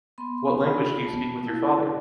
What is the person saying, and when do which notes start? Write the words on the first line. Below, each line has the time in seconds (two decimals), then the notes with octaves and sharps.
What language do you speak with your father?
0.18 B3 C6
0.60 F4 B5
1.03 B3 A5
1.46 E4